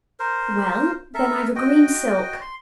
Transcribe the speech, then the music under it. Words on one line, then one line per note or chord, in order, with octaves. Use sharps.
'Well! then I've a green silk.
A#4 C5
A4 A#4 E5
F#4 D#5 G5
C6